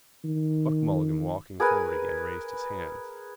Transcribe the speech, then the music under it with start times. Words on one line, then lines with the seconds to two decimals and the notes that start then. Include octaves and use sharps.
Buck Mulligan, walking forward again, raised his hands.
0.24 D#3
1.60 G#4 A#4 B4 G#5